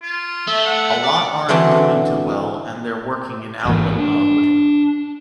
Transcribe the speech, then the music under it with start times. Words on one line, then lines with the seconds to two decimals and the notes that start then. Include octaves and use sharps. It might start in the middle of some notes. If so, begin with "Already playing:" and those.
A lot aren't doing too well and they're working in outlet mode.
0.02 F4
0.47 A3 E5
0.65 F#5
1.03 D5
1.49 D3 E3 C4 D4 F#4 A5
3.65 A1 G#2 E3 A#3
3.98 D4